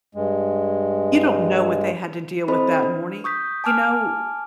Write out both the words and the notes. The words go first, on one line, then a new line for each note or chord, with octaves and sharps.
you don't know what they had to deal with that morning. You know,
G2 G#3
C4 E4 A4 C5 D#5 B5
D4 B4
C#6 D#6 G6 B6
G#5 A5 D6 F6